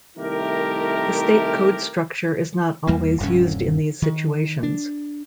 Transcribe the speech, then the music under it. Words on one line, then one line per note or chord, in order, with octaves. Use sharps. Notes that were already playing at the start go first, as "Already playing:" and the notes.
The state code structure is not always used in these situations.
C2 D#3 A3 E4 G4 A#4
E2 G3 A#3
D#1 G2 C3 C#4
D#3
D4